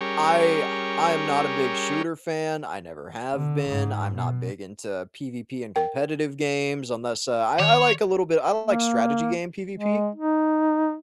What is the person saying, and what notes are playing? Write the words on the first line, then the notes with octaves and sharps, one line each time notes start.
I I am not a big shooter fan, I never have been, I'm not big into PvP and competitive games unless a I I like a little bit I don't like strategy game PvP.
G3 C#4 G4 G#4 A#4 C#5
D3
G#2
B2
A#4 G5
D#3 C#5
A#3
G#3
D#4